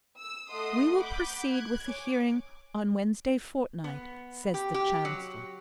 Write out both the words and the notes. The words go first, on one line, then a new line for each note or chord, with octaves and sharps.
"We will proceed with the hearing on Wednesday fortnight," says the Chancellor.
E6
A3 D#5 F#5 C6 D#6
F#5 B5 D6 G6
F#6 G#6
C#5 G#5 D6
B3
G4
G4
F#3